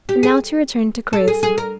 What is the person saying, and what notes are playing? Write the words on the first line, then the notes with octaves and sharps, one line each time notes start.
And now to return to Creusa.
G4
G#4
A4
G#4
G#4
A#4